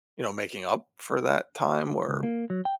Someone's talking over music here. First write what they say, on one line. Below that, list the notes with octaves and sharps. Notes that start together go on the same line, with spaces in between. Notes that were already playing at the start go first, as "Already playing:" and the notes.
you know, making up for that time where
C#2
A#3
F#3
G5